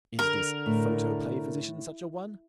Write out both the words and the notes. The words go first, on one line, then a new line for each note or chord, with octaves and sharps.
Is this photoplay physician such a one?
D3 A#4
A2